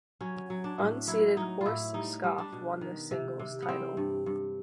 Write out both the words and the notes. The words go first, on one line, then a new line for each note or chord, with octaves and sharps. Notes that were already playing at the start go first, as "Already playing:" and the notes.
Unseeded Horst Skoff won the singles title.
F#3 C#4
F#3
D4
A2
F#3 E4
F#3 D#4
F4
A2 E4
G3 D#4
G3
D4
B2
D#3
C3
C3
B3
E3 C4
G2
G2